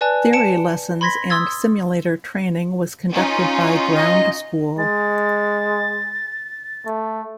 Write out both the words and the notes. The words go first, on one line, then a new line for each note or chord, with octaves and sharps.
Theory lessons and simulator training was conducted by "Ground School".
B4 D5 G#5 A5 F#6
A5 C#7 D7 E7
B5 C6 G#6 A#6 B6
C6 D#6 E6 G#6 A6
C#4 D#4 F4
D#5
G#3 A6
A3